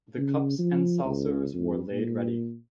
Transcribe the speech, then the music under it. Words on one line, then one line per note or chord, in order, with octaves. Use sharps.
The cups and saucers were laid ready.
C#3
F3
C#2
F2
A#2